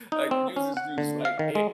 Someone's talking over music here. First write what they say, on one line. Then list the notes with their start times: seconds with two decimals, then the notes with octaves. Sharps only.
Like, news is news, like, it
0.12 D#4
0.31 C4
0.56 C#4
0.77 F#5
0.98 D3
1.25 F5
1.39 D#3
1.55 G#3